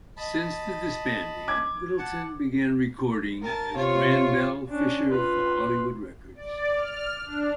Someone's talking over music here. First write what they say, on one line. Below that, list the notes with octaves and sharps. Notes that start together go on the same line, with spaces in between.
Since the disbanding, Littleton began recording as Gran Bel Fisher for Hollywood Records.
D#5 A5 B5
D6 G#6
F#5 A5
A#4 A5
C3 F4 C#5
C#4 D4
F4 B4
D5
F6
D4